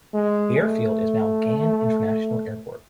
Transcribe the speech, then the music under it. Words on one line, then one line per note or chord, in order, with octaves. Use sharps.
The airfield is now Gan International Airport.
G#3
A3